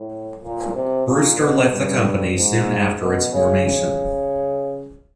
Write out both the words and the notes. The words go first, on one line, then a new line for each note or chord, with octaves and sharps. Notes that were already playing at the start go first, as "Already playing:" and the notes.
Brewster left the company soon after its formation.
Already playing: A2
A#2
C3
A#2
B2
G2
G#2
B2
C#3
C#3